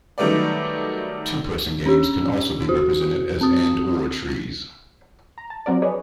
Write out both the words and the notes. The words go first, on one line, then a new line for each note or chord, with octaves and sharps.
Two-person games can also be represented as and-or trees.
D#3 F#3 G3 A3 B3 D5
C#4 D4 G4
F#4
C4 D#6
A#5
A5
F3 F#3 C4 F#4 A#4 D5
D4 G#4 B4 C#5 D#5